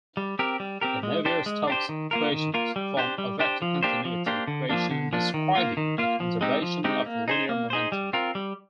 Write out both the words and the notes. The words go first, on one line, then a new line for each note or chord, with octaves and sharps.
The Navier-Stokes equations form a vector continuity equation describing the conservation of linear momentum.
G3
C4 G4 A#4
G3
C4 G4 A#4
G#3
D4 G4 C5
G#3
D4 G4 C5
D#3
A#3 F4 A#4
D#3
A#3 F4 A#4
G3
D4 G4 C5
G3
D4 G4 C5
F3
A#3 D4 G4 C5
F3
A#3 D4 G4 C5
D3
F3 A#3 D4
D3
F3 A#3 D4
D#3
A#3 F4
D#3
A#3 F4
F3
G#3 C4 D#4 G4
F3
G#3 C4 D#4 G4
A#3
D#4 G#4 C5
A#3
D#4 G#4 C5
G3
C4 F4 A#4
G3